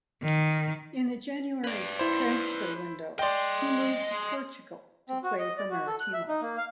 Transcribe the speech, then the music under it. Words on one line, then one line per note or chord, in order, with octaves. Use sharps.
In the January transfer window he moved to Portugal to play for Maritimo.
D#3
B4 D5
E4 C5
D5 D#5 G5 C6
C4
F#4
D#5
D5
F#4
A4
F#6
E5
D#4
A#3
F5